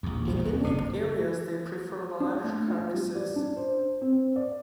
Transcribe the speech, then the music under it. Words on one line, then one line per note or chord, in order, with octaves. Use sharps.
In inland areas, they prefer large carcasses.
A#1 D#2
D#1 B1 F2
D#2
F#1 C3
D4
A3
F4
G3
D5
D4
C5
C4
D5